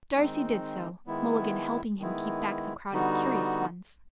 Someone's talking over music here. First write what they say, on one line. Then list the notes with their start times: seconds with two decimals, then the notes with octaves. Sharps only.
Darcy did so, Mulligan helping him keep back the crowd of curious ones.
0.14 D#3 G#3 C4 D#4
1.06 D#3 G#3 B3 E4
1.99 D#3 G#3 B3 E4
2.92 D3 G3 B3 D#4 F#4